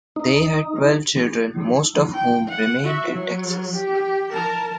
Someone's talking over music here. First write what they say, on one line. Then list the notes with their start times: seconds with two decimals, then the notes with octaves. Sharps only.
They had twelve children, most of whom remained in Texas.
0.16 D#4
2.14 G5
2.48 F#5
2.83 F#4 E5
3.11 F#3
3.76 G4
4.33 A#4 A5